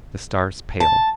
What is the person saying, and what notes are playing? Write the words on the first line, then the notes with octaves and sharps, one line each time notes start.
The stars pale.
A5